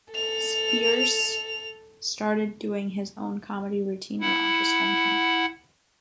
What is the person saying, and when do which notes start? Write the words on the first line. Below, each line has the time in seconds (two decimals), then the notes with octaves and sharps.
Spears started doing his own comedy routine around his hometown.
0.11 A4 F7
4.21 E4 F#5